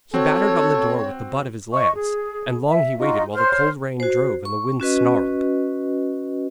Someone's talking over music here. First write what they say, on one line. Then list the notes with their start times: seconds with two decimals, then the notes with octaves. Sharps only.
He battered on the door with the butt of his lance; and long he waited, while the cold rain drove and the wind snarled.
0.14 C4 F#4 A4 C#5
1.73 D#5 C#6
1.93 G#4
2.67 E5
2.98 D#4 F4 F#4 D#5
3.33 C5 C#5 C6 F6
4.00 F#4 C5
4.45 C#6
4.80 C#4 F#4 B4 D#5